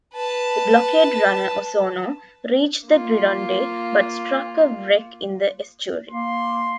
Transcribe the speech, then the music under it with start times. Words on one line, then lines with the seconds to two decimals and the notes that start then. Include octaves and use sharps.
The blockade runner "Osorno" reached the Gironde, but struck a wreck in the estuary.
0.14 B4 A5
2.87 A#3 F4
6.11 A#3 C6